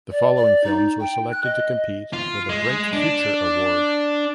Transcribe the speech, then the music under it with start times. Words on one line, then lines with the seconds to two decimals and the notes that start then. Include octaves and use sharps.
The following films were selected to compete for the Bright Future Award.
0.11 D5
0.36 D5
0.64 D#4
1.00 G5
1.31 F#6
1.44 D#5
2.13 F4
2.49 G#3
2.93 D4